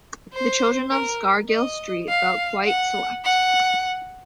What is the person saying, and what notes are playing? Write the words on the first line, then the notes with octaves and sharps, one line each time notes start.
The children of Scargill Street felt quite select.
C5
A#4
D#5
F5
F#5
F#5